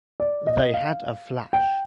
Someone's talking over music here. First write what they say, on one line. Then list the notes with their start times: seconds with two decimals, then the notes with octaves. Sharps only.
They had a flash.
0.20 D5
0.47 D#5
0.74 F5
1.53 G5